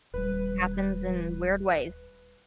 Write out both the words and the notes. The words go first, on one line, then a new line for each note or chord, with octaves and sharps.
happens in weird ways.
D#1 G3 B4